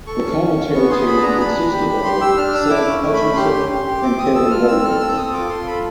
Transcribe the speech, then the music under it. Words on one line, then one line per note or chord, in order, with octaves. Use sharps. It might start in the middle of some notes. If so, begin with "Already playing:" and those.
The commentary team consisted of Seb Hutchinson and Kevin Davies.
A4 C#6
C#4
C#4
C#4
B3 C#6
G#4 C6
B3 B5
A5
D4 A#5
D4 B5
D4
G4
G4
G4 C6
G4 E6
D4 F6
D4 E6
E4 D6
C#4
A3
B5
C#4
G4 C6
G4
G4
G4
C4 D6
C4 D#6
A4 E6
F4 F6
C4 E6
A4 F6
C4 E6
A4 D#6
F4 D6
F4 C6
A4 B5